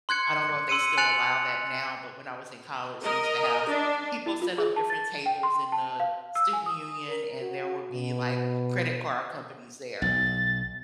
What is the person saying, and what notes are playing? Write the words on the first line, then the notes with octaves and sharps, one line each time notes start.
I don't know if they still allow that now, but when I was in college, they used to have people set up different tables in the student union and there would be, like, credit card companies there,
C6 F#6 G#6 C#7
C6 E6 C#7 D#7
G#5 F#6 A6 C#7 F7 F#7
A#4 D#5
D4
E4
F4
G#4
A5
A6
G5
C6
A5
F5
E6
G#5
D#6
A#4
F#4
B2
B1 A6